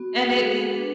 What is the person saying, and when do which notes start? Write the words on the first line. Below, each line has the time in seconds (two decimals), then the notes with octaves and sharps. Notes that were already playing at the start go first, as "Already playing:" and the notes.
And it's
Already playing: B3 F#4
0.15 G#4
0.23 F#4
0.30 G#3 G#4
0.44 A4
0.74 D4 B4